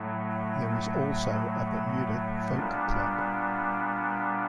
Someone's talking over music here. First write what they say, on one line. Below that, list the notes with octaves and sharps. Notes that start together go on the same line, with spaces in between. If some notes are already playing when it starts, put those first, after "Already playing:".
There is also a Bermuda Folk Club.
Already playing: A2 F#3 A3
A#2 G3 B3 D4